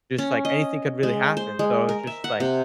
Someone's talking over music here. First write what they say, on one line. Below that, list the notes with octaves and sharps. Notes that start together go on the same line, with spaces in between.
just, like, anything could really happen so it's just, like,
C#4
D#5
G#3
C5
G#3
A#4
E5
F#5
C3